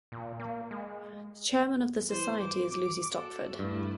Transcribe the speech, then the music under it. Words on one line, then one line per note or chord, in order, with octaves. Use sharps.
The chairman of the society is Lucy Stopford.
A#2
A#3
G#3
E3 C5
D6
F#4 A4
G2 A3 E4